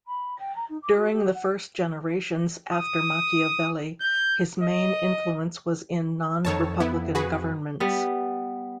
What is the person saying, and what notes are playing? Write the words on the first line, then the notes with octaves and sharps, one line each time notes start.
During the first generations after Machiavelli, his main influence was in non-Republican governments.
B5
G5
A#5
D#4
D6
F#4
G4
F#5
D#6
G6
D#5
F2 D#3 C#5 A5
B3 E4
F#4 G#4 B4
G3 B3